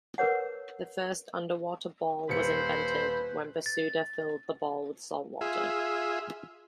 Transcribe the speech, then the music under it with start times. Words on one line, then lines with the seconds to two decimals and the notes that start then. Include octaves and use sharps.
The first underwater ball was invented when Bersuda filled the ball with saltwater.
0.18 A#4 B4 C#5 F#5
2.29 D#1 B4 C5 B5 C#7
3.66 A6
5.41 F4 G#4 E5